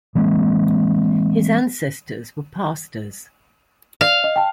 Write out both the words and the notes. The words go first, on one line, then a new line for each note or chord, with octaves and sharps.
His ancestors were pastors.
E3 G#3 A#3 C4
D5 F5
D#5
G5 A5